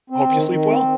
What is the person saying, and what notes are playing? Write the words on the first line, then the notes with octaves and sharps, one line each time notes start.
hope you sleep well.
C4
D#3
D#3
C4